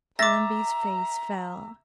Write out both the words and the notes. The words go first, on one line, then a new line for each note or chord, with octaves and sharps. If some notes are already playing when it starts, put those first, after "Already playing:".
Allenby's face fell.
E5 A#5 D6 A6 A#6